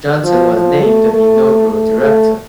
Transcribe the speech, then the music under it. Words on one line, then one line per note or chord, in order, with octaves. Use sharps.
Johnson was named the inaugural Director.
F3
F3
A3
A3
A3
A3